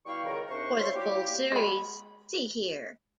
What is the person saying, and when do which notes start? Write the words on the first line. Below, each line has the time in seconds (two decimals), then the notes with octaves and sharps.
For the full series, see here.
0.06 B2 G3 E4 F5 G5 C#6
0.25 C#2 D#3 A#4
0.49 D#2 C3 D4 C5 C#6
0.78 F4 C5 C#5 E5 F5 C6
0.94 F#3 G3 A#3 E4 F#4 G4
1.52 G#3 B5